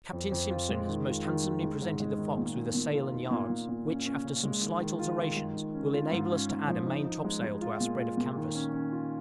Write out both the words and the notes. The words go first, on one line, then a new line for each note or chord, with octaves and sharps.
Captain Simpson has most handsomely presented the 'Fox' with a sail and yards, which, after some slight alterations, will enable us to add a main topsail to our spread of canvas.
F2
F2
F4
G#3
D#3
F4
D#3
G#3
G#3
G#2
G#3
D#3
A#2
A#2
A#2
F4
D#4
A#2
A#2
A#2
C#4
C#4
C#3
G#3
D#3
D#3
F4
D#3
G#3
D#3
C#4
F4
G#2
C#4
G#2
F3
D#4
D#4
G#3
G#3
F4
A#2
F4
A#2
D#3
C#4
C#4
F4